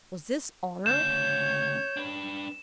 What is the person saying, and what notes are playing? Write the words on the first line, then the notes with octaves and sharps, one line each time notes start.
Was this honor?
D2 C#3 C#5 G6 E7
D4 B4